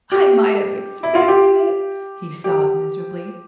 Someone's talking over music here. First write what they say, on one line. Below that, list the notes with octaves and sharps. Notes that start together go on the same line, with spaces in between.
"I might have expected it," he sobbed, miserably.
G4
E4
F4
G4
G4